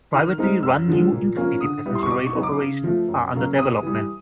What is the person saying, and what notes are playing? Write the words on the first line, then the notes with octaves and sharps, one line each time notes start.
Privately run new inter-city passenger rail operations are under development.
D#3 F6
G#3 C4 D#4
F#2 E6
D3 F3 G#3
A#2
F3 A#3 C#4
D3 D#6
G3 B3 E4
C6
C#6
B2 D6
C#6
F#3 B3 D#4
D6
C#3
F3 A3
F#2
C#3 F#3 A#3
C3 D#6
E3 G3